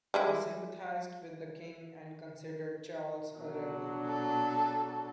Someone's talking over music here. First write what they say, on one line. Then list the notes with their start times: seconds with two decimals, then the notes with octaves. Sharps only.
They sympathised with the King and considered Charles a rebel.
0.14 G3 G#3 E4
3.37 B2 F#3 D4
4.07 A4